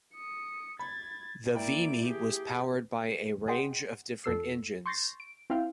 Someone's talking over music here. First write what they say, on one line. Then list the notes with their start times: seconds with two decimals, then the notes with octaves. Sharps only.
The Vimy was powered by a range of different engines.
0.15 D#6 C#7
0.79 B5 G#6 A6
1.54 A#3 E4 D5 G5 D7
2.06 G4 G#4
3.48 G#4 D#5 F#5 G5 C6
4.24 F2 A4 E6 C7
4.86 C6 C#6 G6 A6 A#6 C7
5.20 D7
5.50 C4 E4 F5 G5